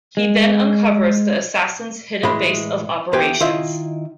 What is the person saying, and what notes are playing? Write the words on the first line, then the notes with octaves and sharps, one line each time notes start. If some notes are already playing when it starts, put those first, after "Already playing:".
He then uncovers the assassin's hidden base of operations.
G#3
A2 E3 G#3 B5
E2 G4 B4 C5 G5 G#5
D#3 E4 F4 D#5 E5